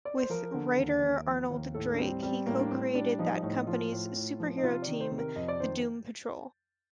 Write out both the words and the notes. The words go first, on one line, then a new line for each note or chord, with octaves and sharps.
With writer Arnold Drake, he co-created that company's superhero team the Doom Patrol.
D5
C5
F3 A#4
D3
D#2
D#2
F3
D#2
A2 A4
D4
G3 C4
G3 C4
A2 A#3
D4
A2 C4
G3 D4
F3 D#4
A2 D#4
F3 F4
A2
A2
F3
D#4
C3 F4
D5
D#3
C5
C3 C5
A#4
F2 D#5
D5
D#3 C5